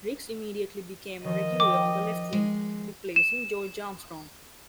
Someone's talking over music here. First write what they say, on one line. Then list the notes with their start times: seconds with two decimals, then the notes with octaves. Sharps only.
Rix immediately became a regular on the left wing, replacing George Armstrong.
1.24 D#3 F3 D#5
1.60 G5 D6
2.33 G#3
3.16 E7